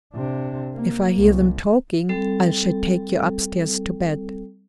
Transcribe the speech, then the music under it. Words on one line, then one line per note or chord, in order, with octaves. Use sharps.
"If I hear them talking I shall take you upstairs to bed."
C3 D4
A#3
C2
G3 C4 A4